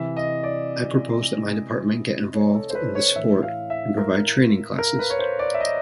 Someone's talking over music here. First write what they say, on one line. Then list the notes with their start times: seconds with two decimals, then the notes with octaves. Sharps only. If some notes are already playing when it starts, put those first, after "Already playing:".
I propose that my department get involved in this sport and provide training classes.
Already playing: C3 E3 E5
0.17 D#5
0.43 D5
2.34 C#5
2.54 A4
2.70 C5
2.75 B4
2.95 C#5
3.15 A2 E3 E5
3.43 F5
3.70 E5
3.97 A#4
4.78 A#4
4.99 B4
5.10 C#5
5.19 C5
5.39 D5
5.54 E5
5.60 D#5